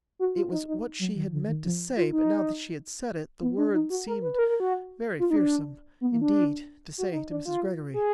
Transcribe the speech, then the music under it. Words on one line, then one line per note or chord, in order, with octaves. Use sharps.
It was what she had meant to say, but now that she had said it, the words seemed very fearsome indeed--to say to Mrs. Greggory.
F#4
F4
D#4
D#4
F#3
D#3
D3
D#3
F3
F4
D#4
B3
D4
D#4
F#4
A#4
B4
B4
A#4
A#4
F#4
F4
D#4
D4
B3
A#3
D4
F#4
D#4
D4
F4
G#4